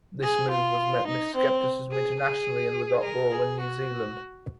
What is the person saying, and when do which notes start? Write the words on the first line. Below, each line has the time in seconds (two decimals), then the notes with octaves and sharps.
This move was met with scepticism internationally and with uproar in New Zealand.
0.23 G#4
0.51 F4
1.07 D#4
1.35 C4
1.91 G#4
2.20 G#4
3.03 A#4
3.31 G#4
3.60 F#4